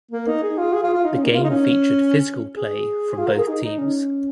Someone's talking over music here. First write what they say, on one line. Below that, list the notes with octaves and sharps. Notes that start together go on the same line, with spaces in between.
The game featured physical play from both teams.
A#3
D#4
G#4
F4
G#4
F4
F4
D#4
C#4
A#3
F4
D#4
C#4
G#4
F4
A#4
G#4
D#4
D#4
C#4